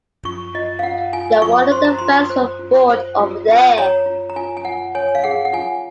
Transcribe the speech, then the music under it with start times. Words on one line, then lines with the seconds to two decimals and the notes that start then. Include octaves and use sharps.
No wonder the fans are bored over there.
0.25 F4 C#6
0.55 F4 D#5
0.79 F5
0.83 F4 F#5
1.13 F4 G#5
1.42 F4 C#6
1.71 C5 C6
1.85 A#5
1.98 F4 C6
2.30 C5
2.59 F4
2.89 C5
3.19 F4
3.49 F4
3.78 C#5 A#5
4.06 F4
4.30 A#5
4.36 F4 G#5
4.57 G#5
4.65 F4 F#5
4.95 C#5 G#5
5.15 F5
5.24 G#4 F#5
5.45 F#5
5.53 F4 G#5